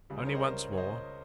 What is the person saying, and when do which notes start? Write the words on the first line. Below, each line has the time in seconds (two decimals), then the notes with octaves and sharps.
"Only once more."
0.10 C#2 C#3 G3
0.18 C5
0.26 A#4 C#5
0.35 C5 D#5
0.43 A#4 C#5
0.73 C#5
0.77 C5 D#5